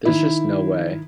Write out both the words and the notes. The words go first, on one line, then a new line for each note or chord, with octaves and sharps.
There's just no way.
D#3 E4